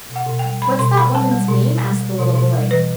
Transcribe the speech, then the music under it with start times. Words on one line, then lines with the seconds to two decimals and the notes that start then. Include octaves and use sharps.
"What's that woman's name?" asked the little boy.
0.09 B2
0.16 F#5
0.27 B2
0.39 G5
0.45 G3
0.62 G3 B5
0.79 B2 C6
0.97 B2 B5
1.14 G3 A5
1.31 G3
1.48 B2
1.66 B2
1.84 G3
2.01 G3
2.19 B2
2.35 B2
2.53 G3
2.71 E3 B4